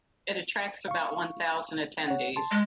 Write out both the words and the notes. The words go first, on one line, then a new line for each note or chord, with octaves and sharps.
It attracts about one thousand attendees.
F5 C#6
C#5 F#5
A5 C6
G#3